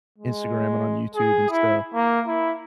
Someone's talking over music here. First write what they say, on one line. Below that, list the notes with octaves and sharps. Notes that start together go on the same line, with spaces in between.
Instagram and on YouTube and stuff.
G#3
G#4
E4
A#3
E4